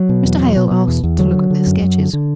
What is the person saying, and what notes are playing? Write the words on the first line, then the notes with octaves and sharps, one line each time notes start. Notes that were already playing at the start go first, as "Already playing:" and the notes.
Mr. Hale asked to look at their sketches.
Already playing: F#3
B2
E2
B2
B2
B2
E2
E2
D3 F#3
D3
D3
F#2
F#2
D3
D3